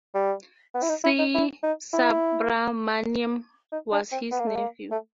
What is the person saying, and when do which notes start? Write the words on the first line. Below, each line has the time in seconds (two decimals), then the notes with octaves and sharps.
C. Subramaniam, was his nephew.
0.15 G3
0.75 B3
0.83 E4
0.90 D#4
1.04 E4
1.19 D#4
1.34 E4
1.63 D#4
1.93 E4
3.72 D#4
3.92 D4
4.12 C4
4.32 B3
4.40 A#3
4.47 A3
4.56 A#3
4.91 A3